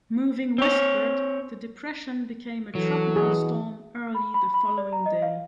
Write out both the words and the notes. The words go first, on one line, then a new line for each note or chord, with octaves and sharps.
Moving westward, the depression became a tropical storm early the following day.
C4 C#5
E3 F#3 A4
B2 G#4
B5
B5
B5
D5
A#5
D#5
F5